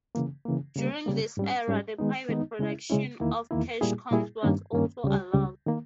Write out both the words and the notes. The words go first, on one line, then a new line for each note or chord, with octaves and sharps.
During this era the private production of cash coins was also allowed.
C#3 E3 A#3
C#3 E3 A#3
C#3 G3 A#3
C#3 G3 A#3
G#2 G3 C#4
G#2 G3 C#4
D#3 G#3 B3 D#4
D#3 G#3 B3 D#4
C#3 G#3 C#4 E4
C#3 G#3 C#4 E4
E2 D#3 A#3 E4
E2 D#3 A#3 E4
A#2 G3 A#3 E4 G#4
A#2 G3 A#3 E4 G#4
G2 D#3 A#3 C#4
G2 D#3 A#3 C#4
C#2 C#3 G3
C#2 C#3 G3
D#3 A#3